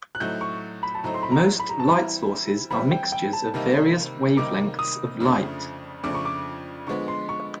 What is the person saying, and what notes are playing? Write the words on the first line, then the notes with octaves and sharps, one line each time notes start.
Most light sources are mixtures of various wavelengths of light.
F#6
A2 F#3 A3 C4 D#4 G6
C#6
B5
A5
A2 F#3 A3 C4 D#4 A#5
C6
B5
A#5
B5
A#5
A5
E3 G3 C4 E4 A#5
E3 G3 C4 E4 B5
G5
G5
A5
C3 D#3 G3 A#3 D#4
C3 D#3 G3 A#3 D#4 D6
D#6
F2 C#3 F3 A3 D4
F2 C#3 F3 A3 D4 D6
C#6
D6
D3 F3 G#3 B3 C#6
C6
C#6